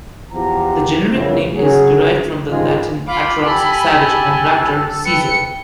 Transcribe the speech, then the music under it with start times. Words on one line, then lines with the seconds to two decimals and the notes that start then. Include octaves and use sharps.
The generic name is derived from the Latin "atrox", "savage", and "raptor", "seizer".
0.33 E2 F3 G4 F#5 A#5
1.12 A#1 F#2 C#3 E3 F#3
1.56 C#3 F#3 C#4 F#4 G#4
2.49 G#2 D#3 F3 G3 G#3 F4
3.07 F4 F5 B5 D6
3.44 G4 A4 G#5
5.05 B4 G5 C#7